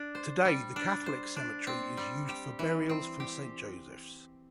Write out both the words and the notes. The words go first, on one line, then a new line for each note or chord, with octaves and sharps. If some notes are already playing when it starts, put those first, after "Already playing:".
Today the Catholic cemetery is used for burials from Saint Joseph's.
Already playing: D4
C5
G3
D4
C5
D4
C4
G3
G4
E3
C4
G4